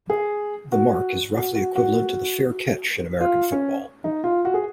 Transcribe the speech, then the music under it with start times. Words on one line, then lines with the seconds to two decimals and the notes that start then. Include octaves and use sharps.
The mark is roughly equivalent to the fair catch in American football.
0.10 G#4
0.72 F#4
1.34 F#4
1.55 F#4
1.75 F#4
3.21 F4
3.52 C#4
4.04 D#4
4.24 F4
4.45 F#4
4.54 G#4